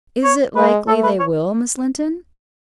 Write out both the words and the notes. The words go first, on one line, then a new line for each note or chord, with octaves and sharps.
"Is it likely they will, Miss Linton?"
C#5
G#3 B4
A3 A4
B4
C#5